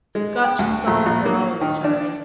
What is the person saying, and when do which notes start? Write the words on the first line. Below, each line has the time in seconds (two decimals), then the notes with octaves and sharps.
Scotch songs are always charming.'
0.15 G#3
0.44 G5
0.59 D2
0.87 A#1
1.06 A#1
1.25 A#3
1.61 D#3
1.84 D4